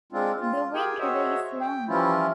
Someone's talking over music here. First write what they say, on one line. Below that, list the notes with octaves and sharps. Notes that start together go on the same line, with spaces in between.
The Wind River is long.
G#3 C4 D4 F4
F4
G4 G#4 A#4 G5 G#5
F#4 G#4 C5 C#5 D#5 E5
G5
E3 F3 G3 C#4 E4 F4